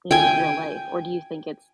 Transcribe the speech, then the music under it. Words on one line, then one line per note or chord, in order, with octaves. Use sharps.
you know, real life, or do you think it's
G5 G#5